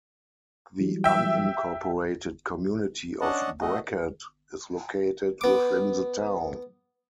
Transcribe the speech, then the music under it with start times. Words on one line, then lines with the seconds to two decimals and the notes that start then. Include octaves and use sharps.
The unincorporated community of Brackett is located within the town.
0.80 E3 F#3 G3
1.04 E5 G5
3.21 C#4 D4 D#5 F#5 A5
3.61 A3 F#4 D#5
5.41 B3 D6